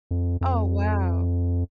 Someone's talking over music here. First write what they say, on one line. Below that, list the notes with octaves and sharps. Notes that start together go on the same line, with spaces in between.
Oh, wow.
F2
F2